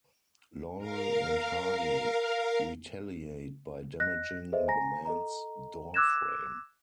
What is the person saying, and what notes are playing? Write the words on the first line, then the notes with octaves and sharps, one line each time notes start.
Laurel and Hardy retaliate by damaging the man's doorframe.
A#4 F5
D#5 F#6 A#6
G#4 A4 B4 C5 D#5 E5
G#5 A#5 A#6
A4 D#5 A#5
D6 E6 F#6 G#6 A#6 E7